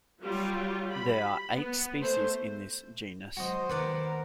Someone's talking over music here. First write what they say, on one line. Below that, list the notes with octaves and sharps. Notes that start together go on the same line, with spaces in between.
There are eight species in this genus.
F#3 G3 F4
B5
B3
A3 C5
F#3 G#3 F#4 C5 D#5
D#2 A#4 B4 D5 F#5